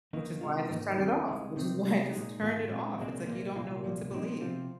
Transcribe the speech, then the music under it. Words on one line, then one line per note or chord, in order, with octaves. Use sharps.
Which is why I just turned it off, which is why I just turned it off, it's like you don't know what to believe.
D#2 D#3 A#3 D#4
C3 G#3 F4
G#2 D#3 A#3 D#4
D#2 D#3 C4
C2 C3 G#3 D#4
C3 D#3 C4
C3 G#3 D#4
A#2 G#3 D#4
G#2 D#3 A#3 F4
A#2 G#3 C4
C2 A#2 G#3 C4
C2 A#2 A#3
C2 A#2 A#3 F4
C2 A#2 F3
A#2 F3 C4 D#4
C3 F3 C4 F4